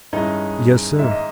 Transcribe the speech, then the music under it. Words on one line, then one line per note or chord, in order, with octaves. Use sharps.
"Yes, sir."
G2 D#3 G#3 C#4 D#4 E4 D#5
G#2 D#3 A#3 E5
D#5